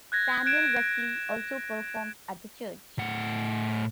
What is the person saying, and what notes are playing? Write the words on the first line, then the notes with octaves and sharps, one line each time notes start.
Samuel Wesley also performed at the church.
F#6 G#6 A#6
F#6 G#6 D7 E7
A2 F#5